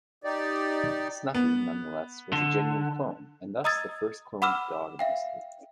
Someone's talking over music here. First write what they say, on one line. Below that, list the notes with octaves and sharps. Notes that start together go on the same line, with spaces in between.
Snuppy, nonetheless, was a genuine clone, and thus the first cloned dog in history.
D#4 G4 D5
B3
D3
D#5 A#5 D#6 E6 G#6 A6
F#5 B5 D6 E6 F6 E7
E5 F5 G5